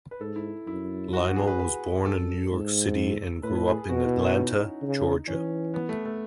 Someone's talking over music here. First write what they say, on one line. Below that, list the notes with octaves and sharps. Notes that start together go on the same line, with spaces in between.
Lionel was born in New York City and grew up in Atlanta, Georgia.
B4
G#2 A4
E4
F#2 E4
F#4
F#4
G#4
B4
B4
F#2 A4
G#2
A2 B4
B4
G#4
G#4
B2 F#4
E4
C#4
D#4
C#3
E3 C#4
B3
A3
A3